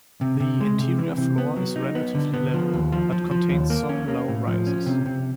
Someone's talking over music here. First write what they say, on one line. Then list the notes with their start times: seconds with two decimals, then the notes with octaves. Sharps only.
The interior floor is relatively level, but contains some low rises.
0.21 C3
0.40 C3
0.61 G#3
0.79 C3
0.99 E3
1.18 C3
1.38 B3
1.56 F#3
1.76 D#4
1.95 B3
2.15 D3
2.34 B3
2.54 F3
2.73 D#2
2.92 F3
3.12 F3
3.31 F3
3.50 D#2
3.70 A#3
3.89 C#4
4.08 A#3
4.28 A2
4.47 F3
4.67 C#4
4.86 C3
5.06 C3